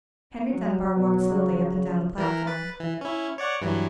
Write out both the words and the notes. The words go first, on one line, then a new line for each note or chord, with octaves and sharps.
Henry Dunbar walked slowly up and down the platform.
F#3
B2
C#3
C#3
E3 A#4
B4 A6
E3
C#4 E4
C#5 D5 F#5
G2 E3 F#3